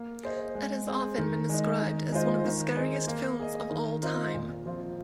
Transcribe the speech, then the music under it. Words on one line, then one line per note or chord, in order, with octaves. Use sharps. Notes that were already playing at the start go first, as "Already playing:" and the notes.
It has often been described as one of the scariest films of all time.
Already playing: A#3
G#4 C5 D#5
G#3
C4 G#4
D#3
G#3 D#4
D#3
G#3 F4 C5 D#5
D#3
C4 D#4 G#4
A#3
G#4 D#5
D#3
C4 F4 A#4 D#5
A#2
F3 C4 F4